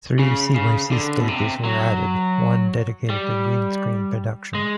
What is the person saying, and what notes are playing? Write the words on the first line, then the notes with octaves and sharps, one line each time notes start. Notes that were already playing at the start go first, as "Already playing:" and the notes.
Three cyc stages were added, one dedicated to green screen production.
C#3
C#3
D3
B2
C3
F#3
G3
G#3